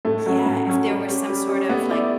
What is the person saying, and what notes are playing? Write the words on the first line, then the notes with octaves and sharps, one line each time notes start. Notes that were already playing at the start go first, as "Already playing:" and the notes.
Yeah, if there was some sort of, like,
A2 A3
F#3 C#4
A2
F#3 C#4
G3
C#4 G4
G3
C#4 G4
A3 B3
E4 G4 D5